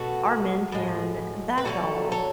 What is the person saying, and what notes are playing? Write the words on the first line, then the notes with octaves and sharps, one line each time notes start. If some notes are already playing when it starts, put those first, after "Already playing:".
our Min Pin, that dog,
Already playing: B2 A3 F#4 A4
A2 G#3
B4
D3 F#3 A3 F#4 A4
A4 C#5